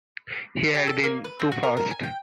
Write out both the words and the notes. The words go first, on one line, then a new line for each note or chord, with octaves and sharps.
He had been too fast.
G4
A4
A#3
B4
C4
F#4
A#4
A#4
G#5
G5